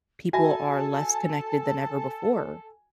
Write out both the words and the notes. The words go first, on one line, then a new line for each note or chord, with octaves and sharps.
people are less connected than ever before.
F#4 A4 E5 G#5 A5 B5